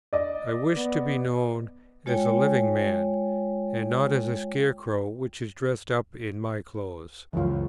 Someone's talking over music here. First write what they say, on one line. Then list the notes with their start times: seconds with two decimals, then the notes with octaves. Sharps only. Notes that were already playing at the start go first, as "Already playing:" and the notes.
I wish to be known as a living man, and not as a scarecrow which is dressed up in my clothes.
0.13 D5 D#5
0.77 B3
2.06 G#3 F4 C#5 G5 G#5
7.33 C#2 F#2 E3 F3 F4